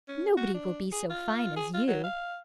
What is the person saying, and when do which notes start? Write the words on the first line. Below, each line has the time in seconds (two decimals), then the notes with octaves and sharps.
Nobody will be so fine as you.'
0.08 C#4
0.37 F#4
0.54 D4
0.92 G#4
1.10 F4
1.56 G#4
1.74 F4
1.87 F#3
2.03 F5